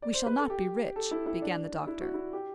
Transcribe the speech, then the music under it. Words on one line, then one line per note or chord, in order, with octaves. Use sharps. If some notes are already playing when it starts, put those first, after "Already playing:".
"We shall not be rich--" began the doctor.
D5
C5
B4
A4
G4
A4
E4
E4
D4
E4
F#4
E4
G4